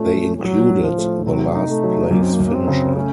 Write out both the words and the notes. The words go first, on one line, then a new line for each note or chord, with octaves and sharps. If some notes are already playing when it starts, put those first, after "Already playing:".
They included the last place finisher.
Already playing: A#2 A3 C#4
F3
A3
A2 F#3
A2
F3
A3
C3 F#3
D#4
A3
F#3
F#2 A#3
C4
A#3
F#2
A#3
C4
C#3
A3 C#4